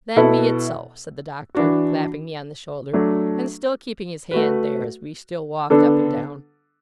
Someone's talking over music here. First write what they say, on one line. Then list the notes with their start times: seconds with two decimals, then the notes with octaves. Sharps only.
'Then be it so,' said the Doctor, clapping me on the shoulder, and still keeping his hand there, as we still walked up and down.
0.16 B2 B3 E4 A4
1.55 E3 D4 F#4
2.93 F#3 A3 D4
4.31 A3 F#4 B4
5.70 D3 B3 D4 A4